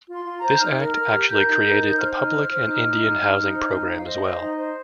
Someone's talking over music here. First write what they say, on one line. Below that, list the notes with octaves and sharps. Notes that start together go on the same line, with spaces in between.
This act actually created the Public and Indian Housing program as well.
F4
C6
F4
A#5
C5
G6
D#4 F6
A#4
A#4
G4
A#4 G6
D#4
A#4
D#4 G6
C5 F6
D#4
C5
C5
D#4
D#4
D#4
D#4
D#4
C5
D#4
C5
F5
C5 D#5
C5
D#4
C5